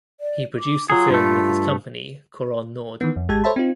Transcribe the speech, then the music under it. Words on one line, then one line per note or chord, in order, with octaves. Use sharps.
He produced the film with his company Couronne Nord.
D5
D6
F#3 F4 G#4
G2 A3
D#3 E3 B3
F2
G#1 G#3 G4 A5 G#6
A4 C5 C#5 E5 A5 B5
C4 D#4 F4